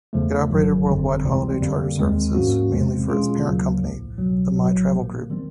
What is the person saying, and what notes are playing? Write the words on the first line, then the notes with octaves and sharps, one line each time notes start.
It operated worldwide holiday charter services mainly for its parent company, the MyTravel Group.
E2 C#3 F3 A3
G1 G2 D#3 F#3
G1 F2 D3 G3 C4
C#2 C3 E3 G3 C4
F2 D3 G3 A#3
D#2 D#3 G#3 C4
G#2 F3 A#3 C#4 F#4
E2 C3 F3 G#3 C4
B2 G#3 C#4 F4 G#4
D2 C#3 F#3 A#3
B1 A2 F3
C2 B2 F#3
A1 A2 F#3
A#2 F3 A#3
D#3 G3 C4